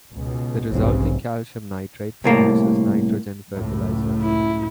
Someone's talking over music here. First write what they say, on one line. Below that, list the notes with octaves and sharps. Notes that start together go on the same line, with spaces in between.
The resulting calcium nitrate produces nitrogen fertilizer.
C#2 B2
F1 B1 E2 G#2 C#3 C4
C2 A2 A#3
C#2 F#2 A2
E4